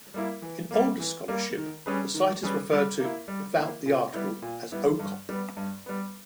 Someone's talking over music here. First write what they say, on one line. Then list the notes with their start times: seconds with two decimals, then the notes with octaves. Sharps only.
In older scholarship the site is referred to without the article as Okop.
0.14 G3 A#3 E4
0.42 E3
0.71 G3 A#3
0.99 E3
1.28 G3 A#3
1.58 D#3
1.86 G3 C#4 G#4 B4
2.14 D#3
2.43 G3 C#4 G#4 B4
2.71 G3
3.00 A#3 E4
3.28 G3
3.58 A#3 E4
3.86 A#2
4.14 G3 B3 E4
4.42 A#2
4.72 G3 B3 E4
4.99 G2
5.29 G3 B3
5.57 G2
5.86 G3 B3